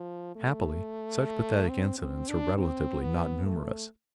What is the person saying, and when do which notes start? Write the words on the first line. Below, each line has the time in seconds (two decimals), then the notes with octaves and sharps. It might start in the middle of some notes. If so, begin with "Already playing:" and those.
Happily such pathetic incidents are relatively not numerous.
Already playing: F3
0.36 A3
1.69 C4
1.98 C4
2.28 D4
2.58 C4
3.02 B3
3.46 A3